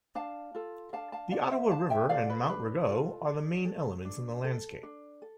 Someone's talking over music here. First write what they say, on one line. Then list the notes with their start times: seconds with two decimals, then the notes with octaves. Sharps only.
The Ottawa River and Mount Rigaud are the main elements in the landscape.
0.15 D4 F5 A5
0.55 F4 A4
0.93 D4 F5 A5
1.12 F5 A5
1.32 F4 A4 D5 F5
1.51 C5 E5
1.71 D4 F5 A5
1.90 E5 G5
2.09 F4 A4 D5 F5
2.30 B4
2.49 D4 B4
2.88 F4 A4
3.28 D4
3.66 A4
4.05 D4
4.44 A4
4.83 D4
5.22 A4